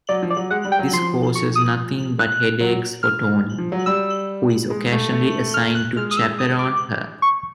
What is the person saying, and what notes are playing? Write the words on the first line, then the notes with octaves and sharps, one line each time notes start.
This causes nothing but headaches for Toni, who is occasionally assigned to chaperone her.
F#3 D5
F3
D5
F#3
G#3 F#5
G3
G5
F#3
F3 C6
C#6
D#6
F#6
F#3
F6
F3
F#3
G3 E6
G#3
A3
A3
F6
F#6
G#3 F6
D#6
E6
D#6
D6
C#6